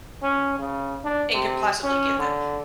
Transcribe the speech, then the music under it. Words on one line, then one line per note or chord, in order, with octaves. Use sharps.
and could possibly give them.
C#4
C#3
D4
C3
C#4
D3